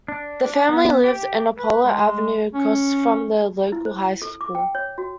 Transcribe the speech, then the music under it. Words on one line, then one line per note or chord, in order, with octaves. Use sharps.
The family lived in Apollo Avenue, across from the local high school.
D4
B3
G4
B4
G#3
C#4
E4
C5
A4
D6
G5
C#5
F#4